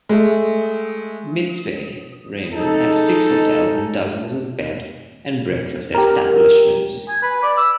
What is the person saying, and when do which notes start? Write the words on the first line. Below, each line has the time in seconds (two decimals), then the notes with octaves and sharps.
Mitzpe Ramon has six hotels and dozens of Bed and Breakfast establishments.
0.09 G#3 A3
2.53 G#3 D#4 A4
5.95 G4 A#4
7.09 G#5
7.22 B4
7.43 D5
7.57 E6